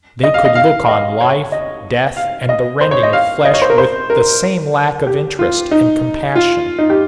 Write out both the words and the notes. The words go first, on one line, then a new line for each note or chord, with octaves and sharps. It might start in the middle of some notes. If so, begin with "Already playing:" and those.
They could look on life, death, and the rending of flesh with the same lack of interest and compassion.
D#5
F5
D#5
F5
D#5
C#5
D#5
F5
D#5
C5
C#5
D#5
F5
D#5
C#5
C5
A#4
C5
A#4
G4
F4
D#4
F4
D#4
G4